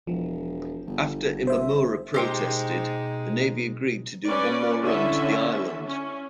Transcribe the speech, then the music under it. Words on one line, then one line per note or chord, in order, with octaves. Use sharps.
After Imamura protested, the navy agreed to one more run to the island.
E1 F3
G1
C5 E5
B2 G#3 D#4 G4 C5 G5
C#4 B4 D5
D3 C#4 E4 E5
C#4